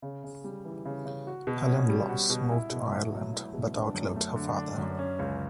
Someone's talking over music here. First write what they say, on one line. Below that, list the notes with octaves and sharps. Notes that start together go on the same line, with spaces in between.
Helen Laws moved to Ireland but outlived her father.
C#3
C#3
G3
E3
C#3
C#3
F#4
B2
C#4
G3
F#4
B2
E4
B2
A3
F#3
E4
B2
D4
F#2
A3
D3
D4
F#2
C#4
C#2